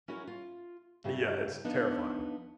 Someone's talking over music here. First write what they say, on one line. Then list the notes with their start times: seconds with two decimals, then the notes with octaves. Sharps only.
Yeah, it's terrifying.
0.08 C#4 E4 F#4 A#4 C#5
0.27 F4
1.04 G2 C#3 E4 G4
1.65 F3 B3 D4 D#4